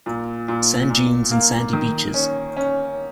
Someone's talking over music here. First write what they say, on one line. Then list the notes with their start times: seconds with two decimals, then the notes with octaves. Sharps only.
Sand dunes and sandy beaches.
0.06 A#2
0.48 A#2
0.90 A#2
1.31 A#3
1.73 D#3
2.14 C#4
2.56 C#4